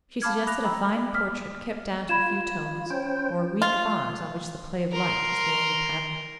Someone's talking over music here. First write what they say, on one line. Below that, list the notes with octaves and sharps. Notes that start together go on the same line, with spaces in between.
She suggested a fine portrait kept down to a few tones, or a Greek vase on which the play of light is the only pattern.
F5 A5 B5 D6 F6 G#6
B5 D6 D#6 F#6 A#6 F7
G5 A#5 B5 E6
D6 D#6 F6 B6
F4 B5 G#6 E7
C#4 C5 G5
F4
A#4 C6